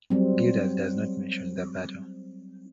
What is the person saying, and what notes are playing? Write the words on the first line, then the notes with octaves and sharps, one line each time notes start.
Gildas does not mention the battle.
F#3 G3 C4